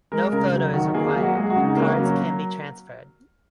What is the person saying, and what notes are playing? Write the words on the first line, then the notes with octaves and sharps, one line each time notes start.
No photo is required, and cards can be transferred.
G#3 A#4
C#3 A#4
F#3
D#3 F#4
A#3 G#4
G#4
F#3
F#4
G#3 G#4
F#4
C#3
D#4
A#3 C#4
F#3
C#4